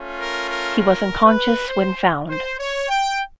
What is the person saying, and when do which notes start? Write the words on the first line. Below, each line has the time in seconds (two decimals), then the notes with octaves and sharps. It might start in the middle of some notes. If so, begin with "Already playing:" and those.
He was unconscious when found.
Already playing: A3 C#4 F4
0.17 A#4
0.47 A#4
0.78 A#4
1.23 B4
1.68 C5
2.29 C5
2.58 C#5
2.88 G5